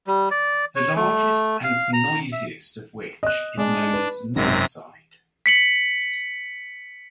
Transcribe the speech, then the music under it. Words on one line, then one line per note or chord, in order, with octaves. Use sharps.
The largest and noisiest of which is known as North Side.
G3
D5
C#5
A3
F5
A#5
E5
D#5 F#6
G#3 D4 D#5
B4
G#1 F#2 C3 A#6
B6 C#7 F#7